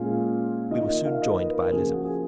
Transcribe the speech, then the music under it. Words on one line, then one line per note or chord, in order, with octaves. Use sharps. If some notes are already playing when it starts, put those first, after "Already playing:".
We were soon joined by Elizabeth.
Already playing: A#2 G#3 C#4 F4 F5
D#3 A#3 F4 D#5
D#5
F5
D#5
B4
A#4
C#3 F3 A#3 F4 G#4
F#4
G#4